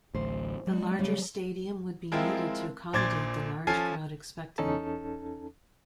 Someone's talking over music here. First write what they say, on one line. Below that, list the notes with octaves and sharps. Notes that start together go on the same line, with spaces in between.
The larger stadium would be needed to accommodate the large crowd expected.
A1 D2 C5
F#3 G#3
C#3 G3
F3 G#3 C4 E4 F4 A#4
A#1 A#2 C5 D6 G#6 A6
F3 C#4 A4 G#5 F6 C7
E2 C#4 D#4 A4 A5